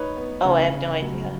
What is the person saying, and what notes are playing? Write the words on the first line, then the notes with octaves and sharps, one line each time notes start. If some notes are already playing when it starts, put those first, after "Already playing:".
Oh, I have no idea.
Already playing: D#4 B4 C#5
B3
C#3
C#3
F#3